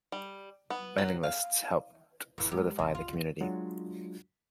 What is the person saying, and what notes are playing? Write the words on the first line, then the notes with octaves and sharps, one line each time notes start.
Mailing lists helped solidify the community.
G3
B3
F#3
F5
F#1 F2 E3
F#2 G#3 G4
A#1 F2 C3
F4
C#2 F#2
F#3 G#3 D4 F4 F#4